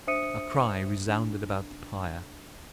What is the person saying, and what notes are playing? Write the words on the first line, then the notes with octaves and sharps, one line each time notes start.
A cry resounded about the pyre.
D4 C5 E5 D#6 C#7 D#7
D4